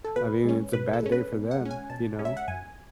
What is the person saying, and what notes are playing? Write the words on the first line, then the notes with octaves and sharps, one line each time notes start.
I mean, it's a bad day for them, you know,
A4
B2 B4
G#3 C#4
B2 B4
A4
G#3 C#4
B4
B2
F#5
G#3 C#4
G#5
B2 A5
G#3 C#4
E5
F#5
F#2 G#5